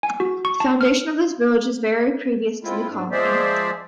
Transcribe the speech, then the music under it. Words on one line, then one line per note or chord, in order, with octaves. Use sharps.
The foundation of this village is very previous to the colony.
G#5
F#4
C#6
A5
F6
G#3 C4 E4 F4
G#2 D4
F3 G#3 G#4 C5 D5 E5